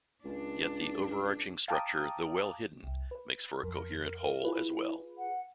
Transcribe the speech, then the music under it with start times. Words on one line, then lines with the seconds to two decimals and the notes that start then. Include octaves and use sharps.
Yet the overarching structure, though well hidden, makes for a coherent whole as well.
0.24 C#2 D4
1.68 F5 G5 A5 A#5 D6 D#6
2.83 C2
3.11 B4
3.63 F2 A#4
4.43 E4 F4 G#4 B4
5.18 F#5